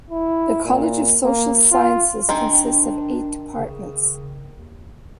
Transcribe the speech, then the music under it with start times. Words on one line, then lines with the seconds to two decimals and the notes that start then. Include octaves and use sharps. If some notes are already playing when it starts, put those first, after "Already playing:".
The College of Social Sciences consists of eight departments.
0.11 E4
0.65 A#2
1.24 A#3
1.72 F4
2.29 D#3 C4 D4 G#4
3.56 C#3
4.51 D#2